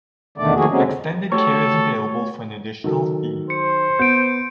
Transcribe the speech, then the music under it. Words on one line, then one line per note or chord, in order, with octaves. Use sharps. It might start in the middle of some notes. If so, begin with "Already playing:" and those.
Extended care is available for an additional fee.
E2 B2 D3 D#3 A3 D5
D#3 F3 A3 A#3 F#4 G#4
D3 F#3 G#3 A#3 C4 C#4
F2 D3
A3 F#4 G4 A4 C#5
D#3 F#3 A4
C5 C#7
B3 G6 D7